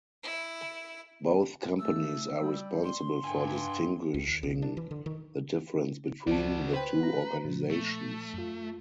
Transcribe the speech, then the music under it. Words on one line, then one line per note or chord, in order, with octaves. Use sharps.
Both companies are responsible for distinguishing the difference between the two organisations.
E4
A3 E6
G3
C6
G2 G5 G#5
C6
C#2
D#2
B1
D4
E3
D3
D#3
C#2 C4 F#4 D5 A5
B4 C5 G5
A#5
A#2 F3
A3
F#2 F4